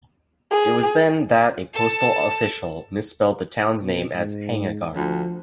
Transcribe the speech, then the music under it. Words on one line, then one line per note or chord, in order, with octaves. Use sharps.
It was then that a postal official misspelled the town's name as "Henagar".
G#4
A4 A5
B2
G#2
D2 F3